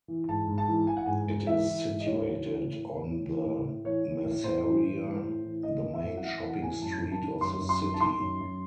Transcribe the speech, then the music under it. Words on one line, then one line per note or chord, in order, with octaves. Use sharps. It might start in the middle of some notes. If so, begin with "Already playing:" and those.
It is situated on the Merceria, the main shopping street of the city.
E3
G#2 A5
G#2
A5
E3
E3 G#5
F#5
G#2 G#5
G#2
E3 E5
E3
G#2
D#5
A2 C#5
E3
E3
A2
A2
E3
E3
A2
A2
E3 C#5
E3
A2
A2 C5
E3
E3
A2
A2
E3
E3 D#5
A2
E5
A2
F#5
E3 E5
E3 F#5
A2 G#5
F#2 A5
D#3
A5
D#3
F#2 C6
F#2
C6
D#3
A5
D#3 C6
F#2
F#2